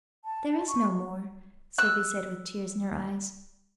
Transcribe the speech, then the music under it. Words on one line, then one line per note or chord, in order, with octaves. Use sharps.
"There is no more!", Sylvie said with tears in her eyes.
A5
C#6
E6 F#6